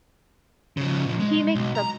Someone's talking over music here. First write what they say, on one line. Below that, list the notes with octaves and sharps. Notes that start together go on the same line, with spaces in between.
he makes the
C#3 F3
A#2 F3
G#3
B1
A#5